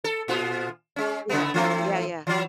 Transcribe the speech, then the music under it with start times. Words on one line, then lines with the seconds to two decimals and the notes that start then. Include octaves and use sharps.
Yeah. Yeah, yeah.
0.04 A4
0.28 A#2 F4
0.96 G#3 C#4
1.29 C#3 A3 B3
1.54 E3 A3 C4
2.27 E3 F#3